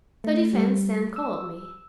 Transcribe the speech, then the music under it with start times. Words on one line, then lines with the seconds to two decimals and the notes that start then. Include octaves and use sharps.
The defense then called me.
0.24 A3
0.53 G3
1.16 E6